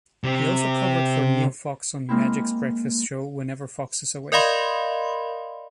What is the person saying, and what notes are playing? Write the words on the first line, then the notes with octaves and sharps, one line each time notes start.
He also covered for Neil Fox on Magic's breakfast show whenever Fox is away.
C3
G#3 A#3 C4 E4
A#4 D5 D#5 F5 B5 C6